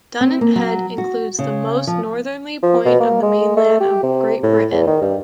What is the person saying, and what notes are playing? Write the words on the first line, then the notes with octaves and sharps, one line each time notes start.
Dunnet Head includes the most northerly point of the mainland of Great Britain.
C4
A#3
F#3
F#4
C#3
F3
F3
B2
A#3
G#3
A3
G4
C3
A2
E2
D#3
G2